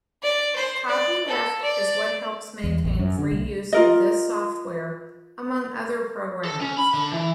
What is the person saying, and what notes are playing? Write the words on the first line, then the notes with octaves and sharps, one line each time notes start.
Copyleft is what helps maintain free use of this software among other programmers.
D5
C5
D5
A4
D5
E2
A1
F#2
D3
C2
F4 A#4 D#5
A4
C#4
B5
D3
E3